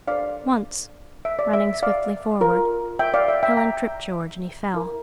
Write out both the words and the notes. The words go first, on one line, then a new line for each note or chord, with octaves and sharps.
Once, running swiftly forward, Helen tripped George and he fell.
D4 A4 C5 D5 F5
E5
D5
E5
D5 F5
F4 A#4
E5 G5
D5 F5
E5
E5 G5
G5 A#5
E4 A#4